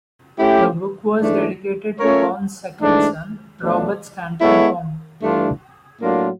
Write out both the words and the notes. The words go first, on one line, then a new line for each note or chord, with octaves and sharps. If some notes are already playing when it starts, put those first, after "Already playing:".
The book was dedicated to Baum's second son, Robert Stanton Baum.
A3 C#4 E4 G4
G#2 E3 A3 D4
A3 C#4 F4 A#4 C#5
G#2 E3 A3 D4
B2 F#3 A3 D4
G#3 B3 E4 A4 C#5
G2 E3 A3 D4 F4
A2 F#3 A#3 D4 F4